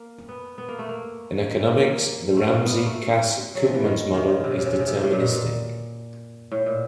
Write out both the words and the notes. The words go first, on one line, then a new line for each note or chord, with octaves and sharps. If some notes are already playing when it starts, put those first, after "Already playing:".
In economics, the Ramsey-Cass-Koopmans model is deterministic.
Already playing: A#3
B3
B3
A#3
A3
A#3
A#3
A3
A#3
B3
A#3
A3
F#3
F3
E3
D#3
D#3
C#3
C3
C#3
C3
C#3
C3
C#3
C3
A2
A#2
B2
A#2
A2
A#2